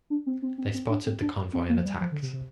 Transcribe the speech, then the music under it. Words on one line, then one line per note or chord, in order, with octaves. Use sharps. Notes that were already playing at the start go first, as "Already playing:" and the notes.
They spotted the convoy and attacked.
D4
C4
C4
C4
C4
D4
C4
D4
C4
A#3
F3
G3
F3
D3
C3
C3